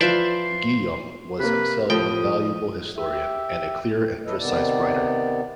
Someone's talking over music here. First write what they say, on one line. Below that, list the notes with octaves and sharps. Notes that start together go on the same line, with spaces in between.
Guillaume was himself a valuable historian, and a clear and precise writer.
E3 F3 F4 B4 C5 D5 E5 C6
C3 A#3 B4
A2 F3 G5 D#6
G4 E5
E2 E3 F#3 A4 B4 D#5
C3 D#3 B3 D5